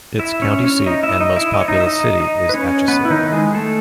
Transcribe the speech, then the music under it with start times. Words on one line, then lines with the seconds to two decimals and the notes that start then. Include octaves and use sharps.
Its county seat and most populous city is Atchison.
0.19 E4 E5
0.42 C#4 C#5
0.64 C#4 C#5
0.87 D#4 D#5
1.03 E4 E5
1.20 D#4 D#5
1.36 E4 E5
1.54 D#5
1.61 C#5
1.68 D#4 D#5
1.80 E5
1.87 D#4 D#5
2.20 D#4 D#5
2.49 B4
2.54 C#4 C#5
2.88 B3 B4
3.05 E4
3.10 D#3 D#4
3.32 G#3 G#4
3.55 A3 A4